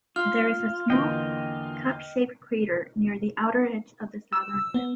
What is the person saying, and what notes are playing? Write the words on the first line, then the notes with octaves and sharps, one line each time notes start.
There is a small, cup-shaped crater near the outer edge of the southern rim.
F4 F6
E2 D3 A#3 D#5 G5
E6
B3